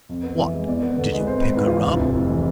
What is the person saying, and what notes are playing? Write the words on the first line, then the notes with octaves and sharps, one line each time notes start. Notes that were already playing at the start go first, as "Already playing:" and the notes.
"What! did you pick her up?"
F2
B3
E3 E5
G#3
E2 D5
B3
D3
G#3
B4
G#1 C5
G#1 B4
G#2 B4
F4
E3
F1 D4
E4
F1
F2 E4
E3